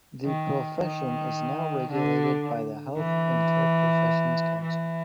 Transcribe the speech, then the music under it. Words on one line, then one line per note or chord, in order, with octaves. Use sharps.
The profession is now regulated by the Health and Care Professions Council.
D#3
D#3
D3
E3
E3